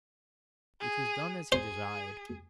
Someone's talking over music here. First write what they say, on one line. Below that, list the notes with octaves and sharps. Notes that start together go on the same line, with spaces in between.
It was done as he desired.
G#4
G#4 C5